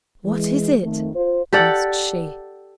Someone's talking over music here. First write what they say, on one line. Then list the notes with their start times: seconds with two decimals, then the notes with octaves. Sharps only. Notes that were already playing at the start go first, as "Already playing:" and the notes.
'What is it?' asked she.
0.25 E3 G#3
0.82 F2 D#3 A3
1.14 F4 C5
1.53 G4 A4 D5 F#5